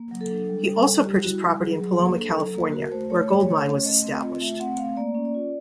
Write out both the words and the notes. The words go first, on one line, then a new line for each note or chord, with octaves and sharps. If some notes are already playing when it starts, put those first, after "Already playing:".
He also purchased property in Paloma, California, where a gold mine was established.
Already playing: A#3
F#3
A4
D4
G3
G3
G3
G3 G4
E4 F#4
G3
F#3 G#4
F#3
A#3
D4 A4
F#3
A#3
F#4 A#4
A3 C5
A3 C#5
A3 C#5
A3
C#4
A3 D#5
C4
F4
A3 E5
C4 F#5
A3 F5
A#3 D5
C#4
D5
F4